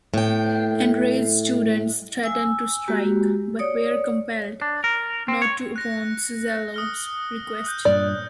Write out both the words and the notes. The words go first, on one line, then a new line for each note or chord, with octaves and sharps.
Enraged students threatened to strike, but were compelled not to upon Suzzallo's request.
A2 G5
G#5 E6
G#3 A#3 F#4 G4
C#5 D5 D#6
D4
A#4
C4
C#5
F#6 A#6 C#7
D#6 F6 G7
D#6 F#6 G6
G2 A#2 D5